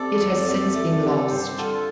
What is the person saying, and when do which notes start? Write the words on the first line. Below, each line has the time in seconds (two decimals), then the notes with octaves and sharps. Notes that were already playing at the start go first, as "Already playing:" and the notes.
It has since been lost.
Already playing: C3 A4 D5
0.20 F2
0.47 C3
0.74 A3
1.02 C3
1.18 D5
1.29 G2 G4 C5
1.57 D3 F4 A4